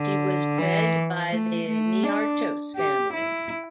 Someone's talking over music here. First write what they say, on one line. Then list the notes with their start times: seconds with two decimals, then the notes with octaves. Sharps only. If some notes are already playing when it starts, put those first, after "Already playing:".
She was bred by the Niarchos family.
Already playing: D3
0.58 E3
1.31 A3
1.67 A3
2.03 D4
2.76 G4
3.13 E4